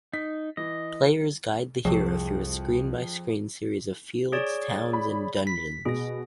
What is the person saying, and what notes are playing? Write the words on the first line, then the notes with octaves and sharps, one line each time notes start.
Players guide the hero through a screen-by-screen series of fields, towns, and dungeons.
D#4 B6
E3 D#5
C2 F2 F3 G#4
G#4 C#5 D5
B5
B6
B2 G#4 A#6